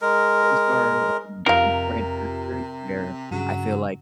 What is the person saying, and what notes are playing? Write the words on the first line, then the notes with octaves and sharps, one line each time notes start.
those are, um, important factors where I feel like
G#3 A#4
F2 C3 D#4 F4 G4 A#4 F5
G2 C#3 F#3